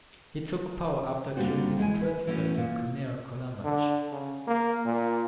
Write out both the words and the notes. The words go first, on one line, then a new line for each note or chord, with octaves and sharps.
He took power after killing his predecessor, Conall Collamrach.
A#2 D3 G3 C4 F#4
E2 G#3 E4 G#5
B4
E3 A3 B3 C#4 F#4
A#2
D3
C#3
A#3
A#2